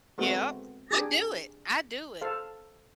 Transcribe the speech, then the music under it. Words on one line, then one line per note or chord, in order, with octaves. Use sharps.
yep. I do it. I do it.
G#3 A3 B3 C4 F#4
D4 G4 G#4
A4 C5 F5